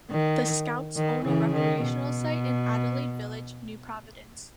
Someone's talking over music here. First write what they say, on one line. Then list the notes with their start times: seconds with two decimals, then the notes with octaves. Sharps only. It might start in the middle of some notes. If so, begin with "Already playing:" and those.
The Scouts own a recreational site in Adelaide Village, New Providence.
0.11 D#3
0.97 D#3
1.25 C#3 E3
1.54 D#3
1.83 B2